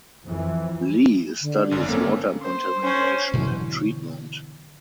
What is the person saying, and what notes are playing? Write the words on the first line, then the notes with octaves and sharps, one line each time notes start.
Li studies water contamination and treatment.
F2 E3
D3
G#1 F#2
A#3 C4 C#4 A4
C5
C#4 C5
B2 D3 E3 F#3